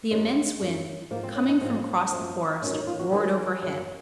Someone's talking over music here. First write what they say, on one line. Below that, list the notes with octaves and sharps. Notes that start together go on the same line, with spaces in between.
The immense wind, coming from across the forest, roared overhead.
F#2 D#3 F#3 G#3
F#2 D#3 F#3
G#2 F3 A#3
C4
C#4
D#4
G#2 F3 C4
F#2 F3
F2 D#3 F#3 C#4
D#4
F4
F#4
D#2 D#3 F#3 G#4
F#2 C#3 F#3